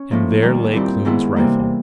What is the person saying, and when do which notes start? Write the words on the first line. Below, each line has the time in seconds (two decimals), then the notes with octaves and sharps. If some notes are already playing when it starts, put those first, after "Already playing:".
And there lay Kloon's rifle.
Already playing: C#4
0.11 A2 F3 A#3 D#4
0.42 D#2 D#3 G3
0.73 A#2 G3 C4 E4 G4
1.05 G#2 D#3 G#3 B3 E4
1.36 C3 E3 G3 A#3